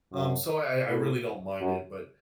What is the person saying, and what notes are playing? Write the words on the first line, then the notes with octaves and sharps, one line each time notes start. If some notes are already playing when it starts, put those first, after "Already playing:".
um, so I I I really don't mind it, but
F#2
A2
F#2